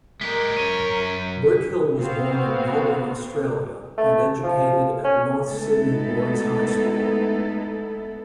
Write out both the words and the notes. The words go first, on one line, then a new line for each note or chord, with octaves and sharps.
Brickhill was born in Melbourne, Australia and educated at North Sydney Boys High School.
G#3 G4 A#4 B6
F#2 C#5 D#7 G7
B3 C4 F#4 F5
A3
F3
C#4
G#3 A3 B3 D#4 E4 A4